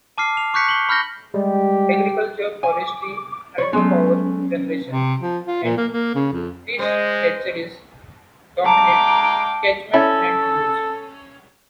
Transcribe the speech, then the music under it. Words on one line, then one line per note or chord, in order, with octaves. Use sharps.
Agriculture, forestry, hydropower generation and fish hatcheries dominate catchment land use.
A5 D6 F6 C7
F7
C#6 D6 F#6 G6 B6 C#7
F#7 G7
B5 F6 G6 A#6 G7
G3 G#3 G4
G#5 D6
C#5 B5 C#6
F#3 G#3 A3 B3 C#4
C3
F3
F4
A#2
A#3
A#3
C#3
F2
G#3 C5 D#5
G#3 F5 G5 A5 A#5 D6
C#4 E4 A4